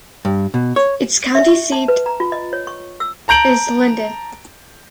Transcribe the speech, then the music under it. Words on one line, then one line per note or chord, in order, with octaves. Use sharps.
Its county seat is Linden.
G2
B2
C#5
E5
C#6
A5
B4
A#5
F4
D#5
C#5
C#6
E6
A5 A#5 G6 D7 F#7